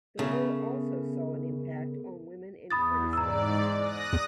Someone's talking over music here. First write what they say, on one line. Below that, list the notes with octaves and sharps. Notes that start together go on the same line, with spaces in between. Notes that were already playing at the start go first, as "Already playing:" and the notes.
The war also saw an impact on women in Kurdistan.
C#3 A3 B3 A4 A#4
E2 B5 D#6 A6
G#2 D5 A#5 E6
D#6 F#6 A#6